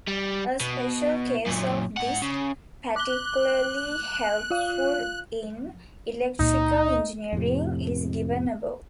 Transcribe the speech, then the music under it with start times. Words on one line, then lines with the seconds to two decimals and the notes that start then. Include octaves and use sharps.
A special case of this, particularly helpful in electrical engineering, is given above.
0.08 G3
0.61 B2
1.47 F#2 A#2
1.97 G#2 F#5
2.22 C#3
2.96 D6 F#6 G7
4.51 F4 F5
6.39 C#2 A#2 A#3 D#4
7.33 F2 A2 C3